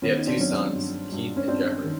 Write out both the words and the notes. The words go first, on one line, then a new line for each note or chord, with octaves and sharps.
They have two sons, Keith and Geoffrey.
D#3 B3 C#4
D#4
C4 D4
F#3 C#4
C4 D4
G2
G2
C#4
G2 C4 D4
D#3